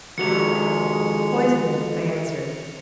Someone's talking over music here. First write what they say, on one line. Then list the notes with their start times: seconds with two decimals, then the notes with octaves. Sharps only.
'Poisoned,' I answered.
0.18 F2 D#3 G#3 F#4 G4 C#7 F7